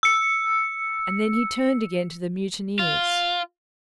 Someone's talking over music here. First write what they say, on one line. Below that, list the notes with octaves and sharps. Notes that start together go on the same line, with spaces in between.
And then he turned again to the mutineers.
E6 C#7
F4